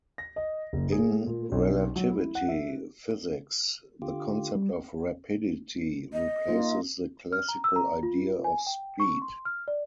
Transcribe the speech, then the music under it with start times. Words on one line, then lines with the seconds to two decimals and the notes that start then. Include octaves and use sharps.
In relativity physics, the concept of rapidity replaces the classical idea of speed.
0.18 A#6
0.36 D#5
0.73 F#1
0.92 G#4
1.27 A#2
1.52 B1
1.96 F#3
2.12 E4
2.35 F#5
2.49 E5
4.02 D3 F4 G4
4.55 G3
6.13 D#5
6.48 A#3 D#4 F4
7.33 F6
7.49 A#5
7.64 E6
7.76 A#5
8.03 F4
8.44 G#5
8.66 G5
9.00 C#6
9.22 C6
9.45 F6
9.68 D5